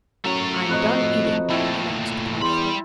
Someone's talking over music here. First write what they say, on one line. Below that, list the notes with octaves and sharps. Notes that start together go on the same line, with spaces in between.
"I'm done eating," announced Bluff.
F#2 F#3 A3 C#5
F2 F#4 B4 D#5
A#2 A3 E4 E5 G5
E2 G3 B5 C6